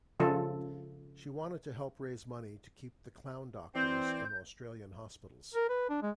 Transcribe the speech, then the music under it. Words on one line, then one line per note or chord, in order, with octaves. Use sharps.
She wanted to help raise money to keep The Clown Doctors in Australian hospitals.
C#3 F3 F4 A4
E3 C4 D5 G6
A#4
B4
D4
G#3